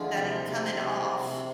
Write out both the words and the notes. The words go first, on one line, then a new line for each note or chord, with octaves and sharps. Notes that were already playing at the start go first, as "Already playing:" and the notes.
that I'm coming off
Already playing: D2 D3 E3 F3 G#3
C3
C3
C3
C3